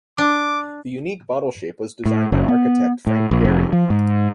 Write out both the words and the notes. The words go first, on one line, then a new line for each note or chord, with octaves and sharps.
The unique bottle shape was designed by architect Frank Gehry.
D4 D6
A2
F#1
B3
A2
A#1
F1
F3
G#2